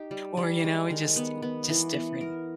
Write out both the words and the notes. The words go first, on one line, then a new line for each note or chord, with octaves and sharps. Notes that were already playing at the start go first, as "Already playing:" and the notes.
or, you know, just i just different
Already playing: D#4 G4
G3
G3
G#3
D#3
B3
B3
E3
B3
A#4